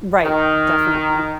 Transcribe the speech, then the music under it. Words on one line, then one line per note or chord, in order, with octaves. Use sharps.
Right. Definitely.
D#3